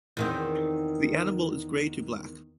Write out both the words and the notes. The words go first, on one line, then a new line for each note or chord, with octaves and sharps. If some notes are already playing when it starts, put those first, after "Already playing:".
The animal is grey to black.
E2 D#3 C4